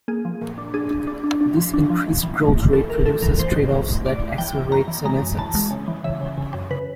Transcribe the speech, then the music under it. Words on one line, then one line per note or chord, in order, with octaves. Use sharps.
This increased growth rate produces trade-offs that accelerate senescence.
A#3 G#4
F3
A#2
D4
D4 G#4
D4
D4
D4
D4
F3
D4
F3
A1
E3
A1
A1
E3 A4
A1 A#4
A1 A4
E3 A#4
A1 C5
G#2
G#2
A1
A1 D5
A1
E3 G5
E3
F#2 A#5
E3
G#3 A#5
F#2
E3 A5
G#3
C#3
E3
C#3 E5
C#3
C#3
F#2
C#3 B4